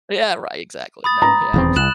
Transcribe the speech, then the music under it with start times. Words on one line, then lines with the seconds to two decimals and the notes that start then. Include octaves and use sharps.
Yeah, right, exactly no, yeah.
1.04 B5 D#6 A6
1.22 A#5
1.54 D#1 E2 C4
1.76 C2 F#6 E7 F#7